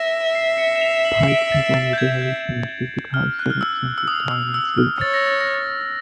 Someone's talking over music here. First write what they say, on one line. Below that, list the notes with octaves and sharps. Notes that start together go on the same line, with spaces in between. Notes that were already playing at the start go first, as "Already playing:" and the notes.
Pike has only rarely changed his guitar setup since his time in Sleep.
Already playing: E5 A#6
C7
C#7
E7
F7
F#7
C7
C#7
D7
A6
A6
G6
G#6
G6
F6
F#6
F6
E6
E6
D#6
E6
E6
F6
C#5 A6
A#6
A6
A#6
A6